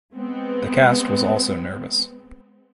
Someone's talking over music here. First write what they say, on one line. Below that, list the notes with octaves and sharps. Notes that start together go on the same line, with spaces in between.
The cast was also nervous.
G#3 B3 C4